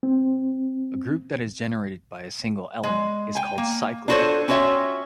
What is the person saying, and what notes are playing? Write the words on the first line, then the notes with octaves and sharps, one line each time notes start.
A group that is generated by a single element is called cyclic.
C4
G#3
G5 G#5
A#3
D4 F4 F#4 A4 C5 C#5
C#4 F4 F#4 C#5 E5 G5